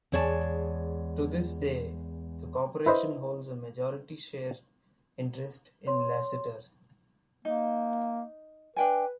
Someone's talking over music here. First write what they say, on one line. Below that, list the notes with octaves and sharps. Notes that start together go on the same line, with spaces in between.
To this day, the Corporation holds a majority share interest in Lassiter's.
E2 G#3 C#5 D5 A5
E4 B4 C5 D#5
C#5 C6
A#3 D#4
D4 B4 G5 G#5